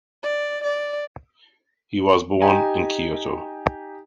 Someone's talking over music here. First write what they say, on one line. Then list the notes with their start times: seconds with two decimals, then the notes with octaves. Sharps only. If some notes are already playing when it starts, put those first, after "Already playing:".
He was born in Kyoto.
0.23 D5
0.64 D5
2.41 D#4 G4 G#5 A#5